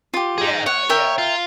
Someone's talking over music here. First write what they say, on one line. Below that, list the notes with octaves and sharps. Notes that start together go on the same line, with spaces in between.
Yeah, yeah.
F4 G4
D#4 G#4
C#5 F#5
A#4 E5 G5
F4